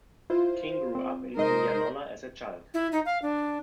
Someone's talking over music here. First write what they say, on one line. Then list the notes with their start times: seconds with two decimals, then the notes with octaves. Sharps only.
King grew up in Indianola as a child.
0.30 E4 F4 C5
0.95 C4
1.37 C3 G#3 D#4 A#4 C5 D#5
2.74 E4
2.92 D#4
3.05 F5
3.22 D4